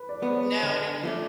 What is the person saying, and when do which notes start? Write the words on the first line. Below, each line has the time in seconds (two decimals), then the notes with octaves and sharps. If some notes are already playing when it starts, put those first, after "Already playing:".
No, and it,
Already playing: B4
0.09 D5
0.22 G#3 B3
0.28 C5
0.36 C#5
0.63 D3
1.03 F3 A3 D4